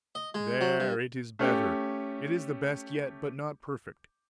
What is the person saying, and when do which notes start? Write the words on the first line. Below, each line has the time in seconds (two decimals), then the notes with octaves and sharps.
There--it is better--it is the best yet; but not perfect.
0.15 D#5
0.34 G#3
0.61 F#3
0.80 G2
1.39 A3 C#4 G4